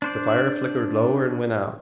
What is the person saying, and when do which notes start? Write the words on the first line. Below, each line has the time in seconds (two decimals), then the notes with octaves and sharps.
The fire flickered lower and went out.
0.02 D4 C5 D5